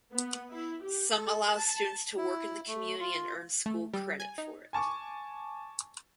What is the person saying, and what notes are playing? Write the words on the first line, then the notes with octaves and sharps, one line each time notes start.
Some allow students to work in the community and earn school credit for it.
B3
E4
G4
A4
A5
E4
A3
F4
A3
G3
G#5
D#4
G#5 A5 C#6 D6